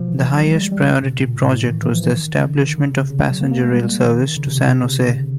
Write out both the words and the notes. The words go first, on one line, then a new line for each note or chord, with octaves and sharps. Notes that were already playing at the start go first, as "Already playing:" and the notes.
The highest-priority project was the establishment of passenger rail service to San Jose.
Already playing: B2 F3
E3
E3
F#3
G#3
G3
G3
C#3
B2
A#2
A2
A2
D#3
E3
E3
F3
E3
D#3
D3
D#3
C#3
C3
C#3
F#3
A#3
A#3
G#3
G3
D#3
C#3
C3
B2
C3
C#3
D3